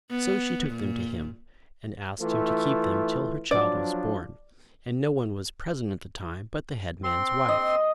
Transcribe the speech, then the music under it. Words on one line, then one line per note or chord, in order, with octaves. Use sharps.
So she took them to him and asked him to keep them till her child was born; and no one was present at the time but the headman's wife.
B3
A#2
E3 A3 F4
F3 F#3 D4 D5
C4 C6
D#5